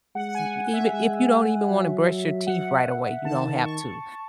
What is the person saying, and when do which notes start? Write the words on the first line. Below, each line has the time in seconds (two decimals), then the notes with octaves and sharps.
E even if you don't even wanna brush your teeth right away, you don't have to,
0.15 G#3 F#5
0.29 F#5
0.35 G#5
0.73 E5
0.93 G#3 E5
1.70 F#3
2.47 F#5
3.24 D#3 A5
3.64 C#6